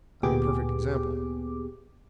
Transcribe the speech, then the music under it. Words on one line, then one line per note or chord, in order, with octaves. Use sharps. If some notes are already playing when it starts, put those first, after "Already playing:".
I'm a perfect example.
D2 A#2 B3 G4 G#4 D6